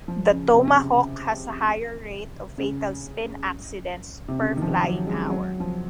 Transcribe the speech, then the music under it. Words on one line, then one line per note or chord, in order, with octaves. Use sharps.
The Tomahawk has a higher rate of fatal spin accidents per flying hour.
F3
C#3
C3
C#3
C#3
C3
C#3
D#3
F3
F#3
G#3
F#3
F3